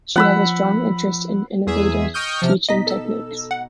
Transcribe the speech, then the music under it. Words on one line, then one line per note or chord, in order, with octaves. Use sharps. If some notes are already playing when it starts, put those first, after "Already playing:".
She has a strong interest in innovative teaching techniques.
F3 F#5 B5 E6
E2 G#4 E5
D#5 G5 C#6 D#6 F6 G6
C3 F3 F6
B2 D#4 D#5 A#5 B6
A4 E6
F#5